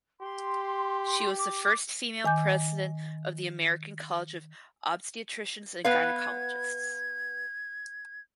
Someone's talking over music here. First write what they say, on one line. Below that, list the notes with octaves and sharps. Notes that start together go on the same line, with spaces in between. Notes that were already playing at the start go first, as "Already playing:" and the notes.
She was the first female president of the American College of Obstetricians and Gynecologists.
G4 C6
D6
D#3 G#5 D6 G6
B3 B4 F5 G#6